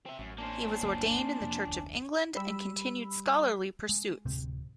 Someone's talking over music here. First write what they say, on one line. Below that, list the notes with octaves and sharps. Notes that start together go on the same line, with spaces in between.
He was ordained in the Church of England and continued scholarly pursuits.
C4 E5
A1 F#2
A#3 C#4 D4 C5
G1 D2 F#3
F2 C3
F1 D2
G3 B5 E6
G#3
D1 C3 C4